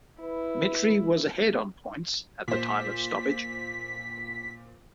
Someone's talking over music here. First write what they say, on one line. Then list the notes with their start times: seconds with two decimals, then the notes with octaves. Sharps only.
Mitri was ahead on points, at the time of stoppage.
0.21 E4 B4
2.48 A#2 C5 B6